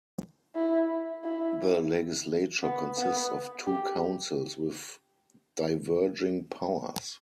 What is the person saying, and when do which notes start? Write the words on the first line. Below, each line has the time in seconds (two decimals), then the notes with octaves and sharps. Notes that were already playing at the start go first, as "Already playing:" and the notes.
The legislature consists of two councils with diverging powers.
0.55 E4
1.24 E4
2.62 B3
2.97 B3
3.66 G4